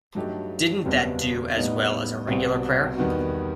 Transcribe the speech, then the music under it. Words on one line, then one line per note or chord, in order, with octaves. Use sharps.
Didn't that do as well as a regular prayer?
G2 F#3 A3 D#4 G4
F#1 E2 B2 G3 C4
A2 G3 B3 D#4
C2 B2 G3 C4 F#4
E2 D#3 G3 B3 F#4